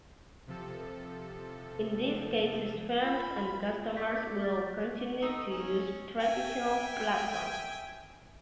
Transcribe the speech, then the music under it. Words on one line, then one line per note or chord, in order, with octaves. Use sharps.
In these cases firms and customers will continue to use traditional platforms.
C3 F3 A4
F4 B5
D5 C#6 G6 B6
C#6 D6 G6
A3 D#4 E6
C#4 C#5
E5 G5 G#5